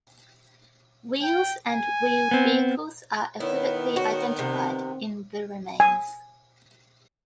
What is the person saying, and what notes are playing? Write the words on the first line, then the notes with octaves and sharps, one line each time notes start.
Wheels and wheeled vehicles are equivocally identified in the remains.
G5
G#5
B3 C4
D#3 B3 E4 C#5
F#4 C#5
C3 C4
G#5